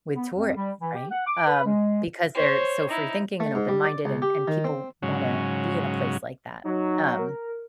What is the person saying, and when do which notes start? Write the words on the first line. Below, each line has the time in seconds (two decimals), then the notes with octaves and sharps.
with tourists, right? Um, because they're so free-thinking and open-minded, and and people wanna be in a place like that. Um
0.16 B3
0.34 F2
0.56 G3
0.81 E3
0.95 G4
1.11 F#5
1.27 D6
1.47 B4
1.66 G#3
2.35 C5 C#5
2.89 D#4 E4
3.40 A3
3.55 G#2
3.68 G3
3.85 D5
4.05 C#2
4.22 G4
4.48 D#3
4.64 C4
5.02 G#2 C#3 F#3
6.64 F#3 D#4
7.18 A#4